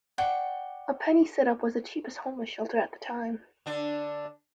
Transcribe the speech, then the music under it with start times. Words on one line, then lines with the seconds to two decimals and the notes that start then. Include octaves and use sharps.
A penny sit-up was the cheapest homeless shelter at that time.
0.18 D5 F#5 G5 C#6
3.66 D3 D4